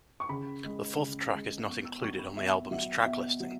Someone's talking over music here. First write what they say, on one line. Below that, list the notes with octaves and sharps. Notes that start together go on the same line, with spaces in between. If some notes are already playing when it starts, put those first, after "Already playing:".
The fourth track is not included on the album's track listing.
C#6
C#3 B5
G#3
C#3
G#3
B2 C#6
E6
F#3 C#6
B5
B2 E5
F#3 E5
B2 E5
F#3